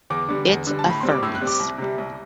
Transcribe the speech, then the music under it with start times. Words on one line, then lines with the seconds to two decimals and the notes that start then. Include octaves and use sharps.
It affirms.
0.10 E2 D6
0.29 D3 G3
0.48 E2
0.67 D3 G3
0.79 A5
0.85 A2 B5
1.01 G3 C4 C6
1.11 D6
1.22 A2 E6
1.35 F#6
1.41 G3 C4
1.47 D6
1.59 C2
1.78 C3 G3
1.98 C2